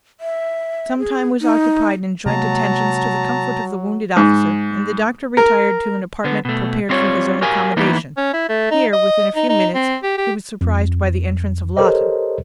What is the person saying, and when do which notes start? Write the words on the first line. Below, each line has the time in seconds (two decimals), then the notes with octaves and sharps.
Some time was occupied in joint attentions to the comfort of the wounded officer, and the doctor retired to an apartment prepared for his own accommodation; here, within a few minutes, he was surprised by the entrance of Lawton.
0.20 E5
0.99 G#4
1.41 D#4
2.26 C3 F#3 G#3 A#3 A5 A#5
4.17 G#2
5.37 A#4
6.24 D3 B3
6.45 B2 A3
6.89 G3 C4 E4 F4 C#5
7.41 F#4 G4 A#4 F5 G#5
7.77 E3 A#3 B3 D#4 E4
8.17 C#4
8.33 E4
8.49 A3
8.71 D#4
8.93 D#5
9.36 D#4
9.49 D#4
9.75 C4
10.03 G4
10.18 G4
10.61 F2
11.77 G4 A4 A#4 C5 C#5 D#5